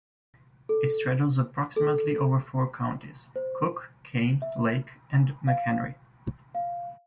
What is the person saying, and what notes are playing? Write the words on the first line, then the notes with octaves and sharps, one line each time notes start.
It straddles approximately over four counties, Cook, Kane, Lake, and McHenry.
A4
A4
C5
E5
F5
F5